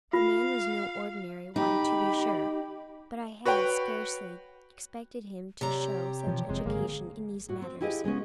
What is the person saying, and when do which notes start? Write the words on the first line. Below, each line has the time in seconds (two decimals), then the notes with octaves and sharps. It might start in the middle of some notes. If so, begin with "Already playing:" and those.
The man was no ordinary one, to be sure, but I had scarcely expected him to show such education in these matters.
0.13 F4 F5
1.56 D#4 G4 B5
3.45 F#4 B4 C#5 F#5 G5
5.61 C3 G4 C#5 D5 A#5
6.27 B2 E3 F3
6.49 F1 C3 G#3
6.66 G#1 D3 G#3 A#3 G#4
7.49 A2 F#4
7.62 C4
7.81 E4 F4 G4 G#4 D5 D#5
8.04 C#3 G#3 B3 C#4